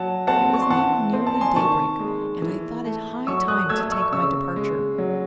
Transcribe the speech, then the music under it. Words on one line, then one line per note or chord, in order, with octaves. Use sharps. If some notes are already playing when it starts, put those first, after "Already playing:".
It was now nearly daybreak, and I thought it high time to take my departure.
Already playing: F#3 F#5 A5
C4 F#5 A5
C#6
C6
E3 F#5 A5
C4 C6
A5
G#5 C6
D#3 A5 C#6
G#3
E3
A3
F#3 C#6 E6
D#6 F#6
A3 E6 G#6
C#6 E6
C#3 C#6 E6
G#3
F#3